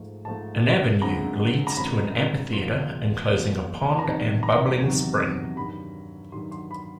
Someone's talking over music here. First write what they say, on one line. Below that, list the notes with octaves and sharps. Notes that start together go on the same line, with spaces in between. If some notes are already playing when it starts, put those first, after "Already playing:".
An avenue leads to an amphitheatre enclosing a pond and bubbling spring.
Already playing: G#2 F3 A3
G#2 F3 A3 A5
F#2 D3 F3 G#3 C4 A#5
A#5
F#2 D3 F3 G#3 C4 B5
E2 C#3 F3 A#3 C6
E2 C#3 F3 A#3
A#5
E2 C3 D#3 F#3 A5
A#5
E2 C3 D#3 F#3
G2 D#3 F#3 B5
G2 D#3 F#3 C6
C6
B5